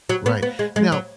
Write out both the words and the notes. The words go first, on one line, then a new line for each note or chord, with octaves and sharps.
Right. Now
F#3
B3
B3
G#3
G#3
F#3